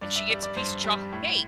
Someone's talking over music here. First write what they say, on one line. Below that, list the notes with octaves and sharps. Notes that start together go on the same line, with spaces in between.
and she gets a piece of chocolate cake.
G2 D5
E5
G3 D5
D5
G2 C5
G3
A2